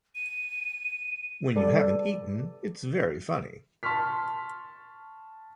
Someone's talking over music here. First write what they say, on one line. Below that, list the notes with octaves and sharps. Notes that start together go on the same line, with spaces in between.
When you haven't eaten, it's very funny.
D#7
G3 A4 B4 D5
A5 C6 C#6 F6 B6